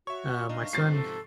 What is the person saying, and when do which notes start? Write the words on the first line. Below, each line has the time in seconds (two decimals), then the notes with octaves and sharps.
uh, my son
0.07 F#4 C#5 E5 C#6
0.49 D4 D#4 D#5 F5
0.73 G#2 C3 F3 A6 C7
0.91 A4